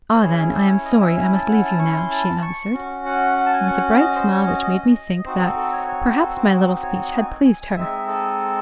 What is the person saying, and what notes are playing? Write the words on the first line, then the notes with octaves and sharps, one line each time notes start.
"Ah, then, I am sorry I must leave you now," she answered, with a bright smile which made me think that perhaps my little speech had pleased her.
C5
C#4 E4 G#4 C#5
G#4
A4
C#5
D#5
E5
G#5
A5
F#5
A5
C#6
C6
A5
C#6
C#4 F#4
F#5
F#5
A5
G#5
F#5
D#5
C5
C#5
D#5
D#5
C4 D#4 F#4 C5
C5
A4
A4
C#5
C#5
C5
A4
C5
C5
C#5
G#5
G#5
G#5
G#3 C4 D#4 E5
A4